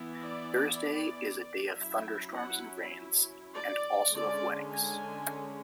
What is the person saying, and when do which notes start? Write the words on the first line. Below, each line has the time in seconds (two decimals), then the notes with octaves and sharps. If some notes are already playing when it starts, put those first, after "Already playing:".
Thursday is a day of thunder-storms and rains, and also of weddings.
Already playing: E3 B3 E4
0.25 D5
1.73 F#3 C#4 E4 E5
2.33 F#5
3.54 D5
4.13 D3 G#3 C#4 D5
4.74 G#5